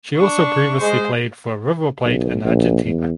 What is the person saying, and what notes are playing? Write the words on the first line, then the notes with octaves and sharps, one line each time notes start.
She also previously played for River Plate in Argentina.
D4 C#6
G#3 C5
B1
A#1
E2